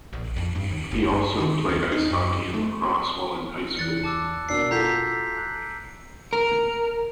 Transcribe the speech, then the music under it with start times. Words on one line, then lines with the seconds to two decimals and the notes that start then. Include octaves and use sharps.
He also played ice hockey and lacrosse while in high school.
0.13 A#1
0.36 F2
0.55 G2
0.71 D#2
0.91 G1
1.09 G2
1.40 D#3
1.69 D#2
1.92 D#4
2.11 F#2
2.54 A3
3.77 E2 F#6 A6 C#7
4.03 A5 D6 E6
4.49 B2 D4 A#4 E6 C7
4.71 F4 F#4 A4 A#5 G6 B6
5.37 F#6
6.33 A#4